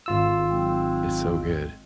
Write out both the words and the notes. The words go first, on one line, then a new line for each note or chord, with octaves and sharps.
it's so good.
G#1 F4 E6
F#3 G#3 C4